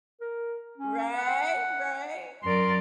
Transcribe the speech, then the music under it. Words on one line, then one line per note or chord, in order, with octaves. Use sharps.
Right, right.
A#4
C#4
F#5
F#2 A#4 D5 C6